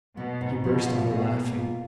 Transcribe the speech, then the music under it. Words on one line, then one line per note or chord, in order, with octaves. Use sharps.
He burst out a-laughing.
B2 B3
G#2
B2 F3
F4
B2 G#4
A#3
F4